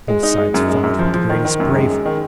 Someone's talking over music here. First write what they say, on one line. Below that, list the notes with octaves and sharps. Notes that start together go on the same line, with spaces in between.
Both sides fought with the greatest bravery.
G#3
D#4
G#3
F#2
G#3
F#2
F3
F3
D#3
D#3
F#2
G#3
G#3
D#3